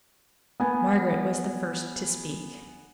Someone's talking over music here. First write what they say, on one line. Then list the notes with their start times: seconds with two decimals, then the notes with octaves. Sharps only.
Margaret was the first to speak.
0.60 B3 G#5